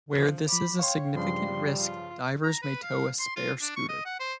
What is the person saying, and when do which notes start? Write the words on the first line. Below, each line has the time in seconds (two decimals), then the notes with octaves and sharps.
Where this is a significant risk, divers may tow a spare scooter.
0.15 D3 F3
0.49 F3 B5 D6
0.79 C#5 F5 G5 C6 C#6
1.16 G2 C#3 F3 G3 C6
1.77 F4
2.44 A#5
2.62 B4
2.83 F5
3.19 C6
3.36 F4
3.61 D4
3.76 C#6
3.89 D#5
4.05 F#5
4.20 C5